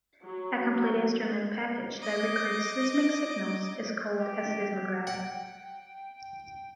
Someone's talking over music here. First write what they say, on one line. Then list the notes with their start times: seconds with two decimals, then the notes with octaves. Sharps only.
A complete instrument package that records seismic signals is called a seismograph.
0.24 F#3
0.71 F#3
2.00 D#5 D6
4.19 G4
5.07 F#5 G5